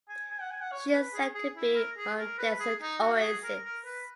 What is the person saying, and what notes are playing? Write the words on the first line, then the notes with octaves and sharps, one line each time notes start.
She is set to be on desert oasis.
G#5
G#5
F#5
G#5
F#5
C#5
B4
G#4
G#4
E4
A#4
G#4
A#4
B4
G#4
D#4
F#4
F#4
G#4
A#4
A#4
B4